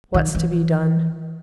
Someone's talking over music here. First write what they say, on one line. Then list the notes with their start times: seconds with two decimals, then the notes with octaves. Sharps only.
What's to be done?
0.14 D#3
0.35 E3